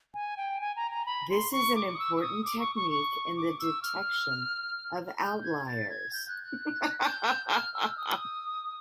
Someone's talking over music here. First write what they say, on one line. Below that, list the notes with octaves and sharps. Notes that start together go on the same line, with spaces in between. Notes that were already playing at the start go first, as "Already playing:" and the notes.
This is an important technique in the detection of outliers.
G#5
G5
G#5
A#5
A#5
B5
C6
C#6
D6
D#6
E6
E6
D#6
D6
C#6
C#6
C#6
D6
E6
F6
G6
G#6
A6
G#6
G6
F#6
F#6
F#6
G6
F6
E6
D#6